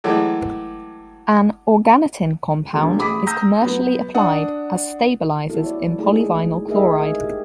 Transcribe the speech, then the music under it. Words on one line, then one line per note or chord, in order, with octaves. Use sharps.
An organotin compound is commercially applied as stabilizers in polyvinyl chloride.
E3 F#3 G#3 A3 G4
E1 D3
A1 G#4 B5 D6 D#6 B6
A#5 D#6 E6 G6 A#6
F#3 B3
D4 F#5 D#6
B3 E4 F#4 G4 A4
C#5 D5
G#3 A3 D#4 E4 G#4 A4
D#4 G#4 A#4 D#5 E5
G4